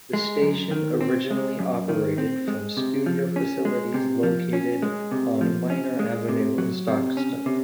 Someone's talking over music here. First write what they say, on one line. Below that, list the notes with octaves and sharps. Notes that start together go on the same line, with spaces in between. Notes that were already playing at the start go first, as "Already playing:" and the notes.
The station originally operated from studio facilities located on Miner Avenue in Stockton.
G#3
F#2
D#3
C4
G#3
F#2
D#3
C4
G#3
C3
F3
C#4
G#3
C3
F3
C#4
G#3
C3
F3
C#4
G#3
C3
F#3
C3
C#4
C3